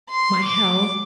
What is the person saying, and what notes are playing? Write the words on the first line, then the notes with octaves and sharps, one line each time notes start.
my health
C6
D6